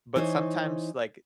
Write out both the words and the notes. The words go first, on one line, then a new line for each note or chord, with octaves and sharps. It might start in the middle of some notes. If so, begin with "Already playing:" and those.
but sometimes, like,
E3 D#4 C5 C#5